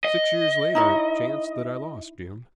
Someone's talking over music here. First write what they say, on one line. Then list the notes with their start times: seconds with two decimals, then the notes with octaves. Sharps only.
Six years later it chanced that I lost Jim.
0.05 D#5
0.75 D#4 E4 C#5